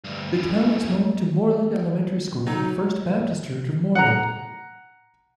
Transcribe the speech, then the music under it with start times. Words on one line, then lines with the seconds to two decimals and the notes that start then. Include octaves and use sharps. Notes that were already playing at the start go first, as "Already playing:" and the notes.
The town is home to Moreland Elementary School and First Baptist Church of Moreland.
0.04 D2 G2
0.33 A2 C#3
2.47 F#3 D#4
3.95 F#5 A#5